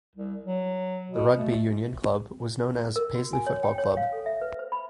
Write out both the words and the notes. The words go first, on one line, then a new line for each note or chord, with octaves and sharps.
The rugby union club was known as Paisley Football Club.
C2
F#3
B2
A3
A#4
F#4
G#5
C#5
G5
C#5
F5
A4
E5
B4
C5
B5